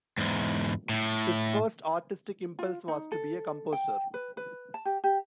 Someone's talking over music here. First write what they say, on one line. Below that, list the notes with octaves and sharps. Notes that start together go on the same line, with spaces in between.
His first artistic impulse was to be a composer.
E2 G#2
A2
F4
D#4
A4
G5
B4
B4
A5
G4
G4